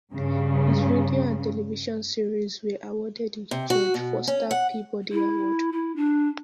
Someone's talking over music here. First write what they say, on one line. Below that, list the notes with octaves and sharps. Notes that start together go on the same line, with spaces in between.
His radio and television series were awarded the George Foster Peabody Award.
G2 C#3
C3
F#4
B2
C#4
F#5
E4
E4
D4